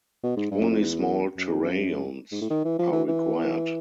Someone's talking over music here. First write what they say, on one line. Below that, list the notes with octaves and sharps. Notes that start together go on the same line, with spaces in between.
Only small terrariums are required.
B2
G#2
G2
F#2
F2
E2
F#2
F2
F#2
G#2
A2
D#3
E3
F3
E3
E3